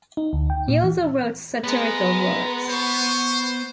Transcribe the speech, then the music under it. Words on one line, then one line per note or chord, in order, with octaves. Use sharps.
He also wrote satirical works.
D#4
D2
G5
A#2
E3
G#3 B3 A#4
C5 C#6